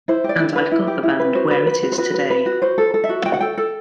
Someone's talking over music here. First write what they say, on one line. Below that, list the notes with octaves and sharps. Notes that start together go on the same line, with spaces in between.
And I've got the band where it is today.
E4 C5
G4 D5
E4
B4
E4
G4
E4
B4
F#4 C5
B4
B4
F#4
C5
F#4 B4
B4
B4
F#4
F#4 C5
A4
A4
E5
F#4
F#4 G5
F#5
A4 G5
A4